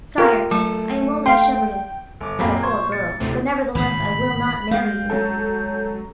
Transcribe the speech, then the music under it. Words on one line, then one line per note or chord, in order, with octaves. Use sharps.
"Sire, I am only a shepherdess, and a poor girl, but, nevertheless, I will not marry you."
F4 G4 A#4
F#3 A3 A4
F5 G5 C6
G1 D6
F#2 A#2 F#3 A#3 C4 G#4 B5
C5 C6 C#6 G#6
A6 C#7
D2 A2 C3
G#1 A2 C#3 B5
G#3 F5 G5 G6
F#3 C#4 A4